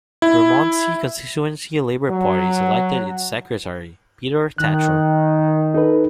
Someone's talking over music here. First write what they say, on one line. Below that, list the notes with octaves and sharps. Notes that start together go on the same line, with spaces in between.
Bermondsey Constituency Labour Party selected its secretary Peter Tatchell.
E4
F#3
D#3 F#6
D#4 A4 B4